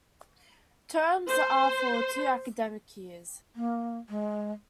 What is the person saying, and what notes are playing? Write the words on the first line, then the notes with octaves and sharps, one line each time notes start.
Terms are for two academic years.
C5
A#3
G#3